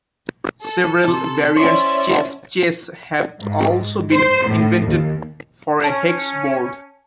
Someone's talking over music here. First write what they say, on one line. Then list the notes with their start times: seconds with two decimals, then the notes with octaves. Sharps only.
Several variants of chess have also been invented for a hex board.
0.62 A4
1.07 C3
1.56 C#4 E4 C5 D5 E5
3.40 G#2
4.11 C5
4.47 A2
4.86 D#2
5.84 C#4 A5